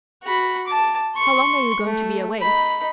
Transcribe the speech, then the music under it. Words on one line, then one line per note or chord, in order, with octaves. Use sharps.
"How long are you going to be away?"
F#4 B5
A5 D6
C6 C#6
A3
D#4 B5